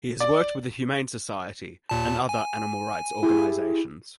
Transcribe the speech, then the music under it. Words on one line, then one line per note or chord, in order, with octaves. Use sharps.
He has worked with The Humane Society and other animal rights organizations.
D5
D#2 A#2 A5
G#5
E4 G4 G#4